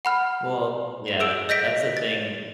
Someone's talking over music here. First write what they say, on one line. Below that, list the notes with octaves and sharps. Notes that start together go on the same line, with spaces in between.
Well yeah, that's the thing.
F#5 B5 F6
G#4 E6 D7
D#5 G6 A#6 B6 D7
A6